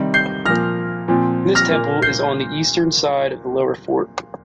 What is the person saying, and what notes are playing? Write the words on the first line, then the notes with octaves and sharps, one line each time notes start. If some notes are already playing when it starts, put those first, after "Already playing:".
This temple is on the eastern side of the lower fort.
Already playing: C3 D#3 G3
G6 C7
A#2 F3 A#3 F6 A#6
A#2 F3 C4
F6 A#6
A#2 A#3
G6 C7